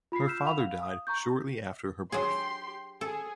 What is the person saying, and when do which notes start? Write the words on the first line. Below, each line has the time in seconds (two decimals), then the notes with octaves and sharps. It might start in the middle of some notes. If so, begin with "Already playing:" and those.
Her father died shortly after her birth.
0.12 F4 B5 B6 C7
0.26 E6 F6 G6 B6 E7
0.45 F5 F#5 B5 F7
0.59 F5
0.83 D#6
1.07 A#5 C#6 G6
2.12 F#3 D4 G4 G#4 C6
3.01 G#4 A4